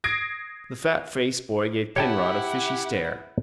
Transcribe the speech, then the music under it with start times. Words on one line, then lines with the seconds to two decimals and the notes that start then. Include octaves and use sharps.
The fat-faced boy gave Penrod a fishy stare.
0.04 D#6 G#6 A#6 C7 D7
1.96 E4 G4 C#5 F#5 G5 A5